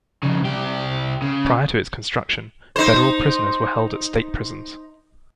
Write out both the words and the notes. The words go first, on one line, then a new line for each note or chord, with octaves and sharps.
Prior to its construction, federal prisoners were held at state prisons.
F2 C#3
C2 G4
C#3
D#4 C5